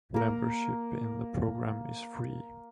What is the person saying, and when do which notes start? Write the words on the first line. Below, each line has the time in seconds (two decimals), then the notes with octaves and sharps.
Membership in the program is free.
0.14 A#3 A#4